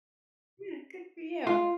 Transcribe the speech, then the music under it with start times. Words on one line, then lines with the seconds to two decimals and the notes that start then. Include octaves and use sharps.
Yeah, good for you.
1.47 F4